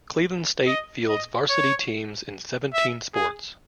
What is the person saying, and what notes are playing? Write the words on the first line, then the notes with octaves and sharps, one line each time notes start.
Cleveland State fields varsity teams in seventeen sports.
D#5
D#5
C#5
E5
G#4